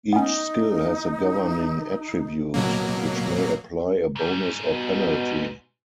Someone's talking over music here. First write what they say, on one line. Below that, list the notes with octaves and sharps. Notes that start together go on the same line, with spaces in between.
Each skill has a governing attribute, which may apply a bonus or penalty.
B3 C#4 D#4
B2 F#3 A#3
G#2 G3
B2